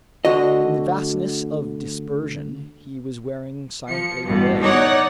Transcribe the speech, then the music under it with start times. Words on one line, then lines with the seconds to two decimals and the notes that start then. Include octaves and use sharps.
In the vastness of dispersion he was wearing silently away.
0.25 D2 D3 F#4 D#5
3.87 F3 C#7
4.25 A1 G2 B2
4.61 D#4 C#5 D5 F#5